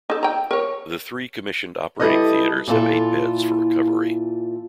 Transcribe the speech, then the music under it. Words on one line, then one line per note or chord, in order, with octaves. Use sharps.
The three commissioned operating theatres have eight beds for recovery.
D#4 A4
G5 A#5
A#4 C#5
G3 E4 F4 A4 B4 D#5
A#2 E3 E4 F4 A4